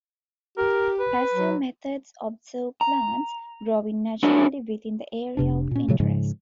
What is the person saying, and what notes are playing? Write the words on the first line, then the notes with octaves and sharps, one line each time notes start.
Passive methods observe plants growing naturally within the area of interest.
G4 A#4
B4
F#3
A#5
D4 E4 F#4 G#4 A#4 C#5
F1 C3 D4
A#2 C#4
A#2 C#3 F#3 A3
G#2 C#3 F3 G#3